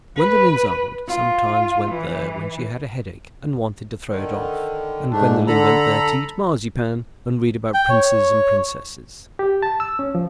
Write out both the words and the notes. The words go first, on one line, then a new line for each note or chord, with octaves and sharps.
Gwendolen's aunt sometimes went there when she had a headache and wanted to throw it off; and Gwendolen went there to eat marzipan and read about Princes and Princesses.
B4
F4
E3
D3 D#3
G#2 A3 D4
D3 A4 A#5 B5
G5
C#5
G4
A5
E6
C#4
F3